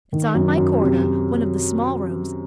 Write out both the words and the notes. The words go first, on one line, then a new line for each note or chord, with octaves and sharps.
It's on my corridor--one of the small rooms.
D#3
F#2
F#2
C3
C3